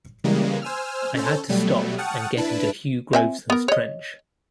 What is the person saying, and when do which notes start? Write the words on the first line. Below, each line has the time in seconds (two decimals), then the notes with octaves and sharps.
I had to stop and get into Hugh Grosvenor's trench.
0.24 C#3 E3 G3 G#3 A#3
0.62 C5 G#5 E6 F6
1.15 C#4 A4 C5
1.49 B2 F#3 G3 A3
1.98 F#5 G5 A5 C#6 D#6 F6
2.37 D4 E4 B4 A5
3.13 C4 E5 G#5
3.50 B3 A#4
3.68 C#5 D#5